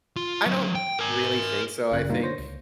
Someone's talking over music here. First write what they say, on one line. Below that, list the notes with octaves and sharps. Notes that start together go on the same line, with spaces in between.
I don't really think so. I think
F4
D3 F#3
G5
A#4 G#5
G#1 F#2 C#3 F#6
A#2 G3 A#3 D4 D#4 F4
D3 C5 C#5 A#6
C#2